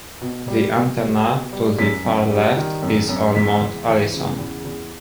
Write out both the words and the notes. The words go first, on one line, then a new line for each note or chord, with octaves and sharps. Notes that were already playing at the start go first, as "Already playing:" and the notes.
The antenna to the far left is on Mount Allison.
B2
G3
B2
G3
B2
G3
F#2 B6
F#2
G3
D#3
F#2
F#2
E2 B6
E2
E3
C#3
E2
E2